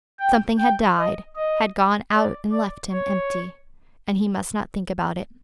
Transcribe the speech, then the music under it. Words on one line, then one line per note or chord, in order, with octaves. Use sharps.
Something had died, had gone out and left him empty, and he must not think about it.
G5
G5
D#5
D#5
D5
D5
C#5